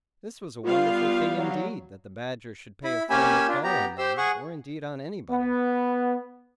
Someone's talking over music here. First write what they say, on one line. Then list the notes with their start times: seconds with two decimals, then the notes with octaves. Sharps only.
This was a wonderful thing, indeed, that the Badger should pay a formal call on them, or indeed on anybody.
0.65 G3 B3 F4 F5
1.36 F#3
2.84 E4 B5
3.10 A#3 C#4 G4 G#5 B5 E6
3.48 D4 F4
3.64 B3 G4 A#5
3.98 G4 C5 C6 E6
4.18 G#4 F#5 C#6
5.30 B3